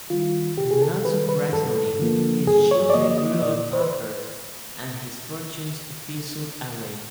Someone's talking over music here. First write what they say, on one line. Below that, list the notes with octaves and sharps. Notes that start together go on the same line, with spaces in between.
Not surprisingly, his children grew up pampered, and his fortunes fizzled away.
D#3 G3 F4
C3 G4
G#4
A4
D#3 G3 B4
B4
G2 A4
D3 F3 A#3
G2 G#4
C#5
D5
D3 F3 A#3 D#5
D#5
A#2 D5
C5
B4